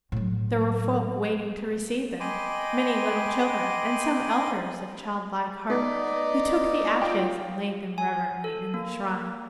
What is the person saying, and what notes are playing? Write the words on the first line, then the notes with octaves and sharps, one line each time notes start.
There were folk waiting to receive them,--many little children, and some elders of childlike heart, who took the ashes and laid them reverently in the shrine.
A2 F#3
D#5 G5 G#5 B5 C6 D6
B3 D#4 D5 D#5
F4 G5
G#5
A4
A#3